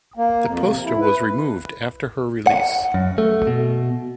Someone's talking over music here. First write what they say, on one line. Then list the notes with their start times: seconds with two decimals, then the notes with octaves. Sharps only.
The poster was removed after her release.
0.17 A#3
0.45 F2
0.62 C3
0.84 E4
1.01 B4
2.47 F#5
2.94 F#2
3.18 A3
3.47 B2